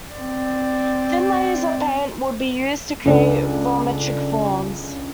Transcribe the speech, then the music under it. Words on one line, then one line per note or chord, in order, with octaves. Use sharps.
Thin layers of paint would be used to create volumetric forms.
C4 D5
C#2 D4 A4